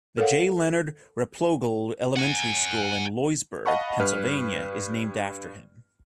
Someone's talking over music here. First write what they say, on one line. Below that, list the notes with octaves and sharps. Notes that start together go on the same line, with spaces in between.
The J. Leonard Replogle Elementary School in Loysburg, Pennsylvania is named after him.
A4 A#4 C#5 F5 F#5
F#5 G#5
D#5 F5 F#5 A5 B5 C#6
G2 B4 F6